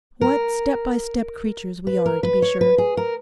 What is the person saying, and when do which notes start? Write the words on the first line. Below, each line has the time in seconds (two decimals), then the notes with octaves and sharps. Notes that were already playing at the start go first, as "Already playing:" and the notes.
What step-by-step creatures we are, to be sure!
0.21 A#4
1.87 B4
2.06 A#4
2.23 B4
2.42 C#5
2.61 B4
2.78 G#4
2.97 A#4